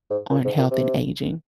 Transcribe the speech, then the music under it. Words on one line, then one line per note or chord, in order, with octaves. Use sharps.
on health and aging
G#2
A#2
G#2
A#2
C3